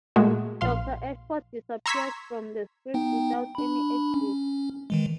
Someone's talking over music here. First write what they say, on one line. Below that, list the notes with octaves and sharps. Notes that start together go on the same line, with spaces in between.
Doctor Ashford disappears from the script without any exit.
A#2 G#3 A3 F#4
A#1 F5 C6
A#5 C6 C#6 E6 G#6 B6
B3 D#4 G5
D4 B5
C#4
D#3 E3 G#3